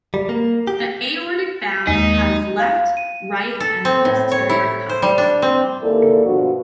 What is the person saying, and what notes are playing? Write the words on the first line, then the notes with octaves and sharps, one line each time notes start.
The aortic valve has left, right, and posterior cusps.
G3
A#3
G4
D#2 G#3 D#4
F5
D#7
A4
C4
A2
C#5
E4
C5
G3
D4
C4
D#2 A#3 E4 G#4 A4 D5
G2 B2 F3 D4 F#4